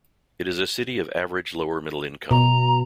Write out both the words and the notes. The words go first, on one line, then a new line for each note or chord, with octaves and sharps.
It is a city of average, lower middle income.
B2 A#5